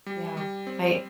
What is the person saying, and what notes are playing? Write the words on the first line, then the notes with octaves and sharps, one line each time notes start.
Yeah, I
G3
G3
C4